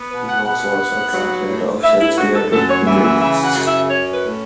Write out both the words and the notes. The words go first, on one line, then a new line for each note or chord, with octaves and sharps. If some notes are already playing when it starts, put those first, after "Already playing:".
He was also translator of Shakespeare to Hebrew.
Already playing: B3
B2 B4
F#5
B3 F#5
B3
F#3
A2
A2 E5
E4
A2 F#4
A4
F#2 A4
C#5
E3 E5
E5
C#3 E5
F#5
F#2
E5
C#4 C#5
B4
A2